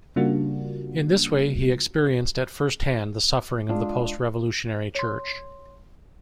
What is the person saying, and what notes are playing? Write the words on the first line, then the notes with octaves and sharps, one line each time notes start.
In this way he experienced at firsthand the suffering of the post-Revolutionary Church.
C#3 G3 A#3 D4 F4 F#4
G#3 D4 F4
C#5 C6